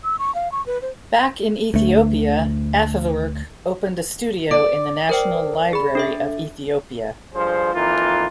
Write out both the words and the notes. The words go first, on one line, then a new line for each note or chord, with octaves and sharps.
Back in Ethiopia, Afewerk opened a studio in the National Library of Ethiopia.
E6
C#6
F5
C#6
B4
C5
D2 A3
D5
A#4 C5 G5
G#4 B5
D4 A4 E5
G2 F3 G#4 C5
F2 E3 A#3 D#4 F4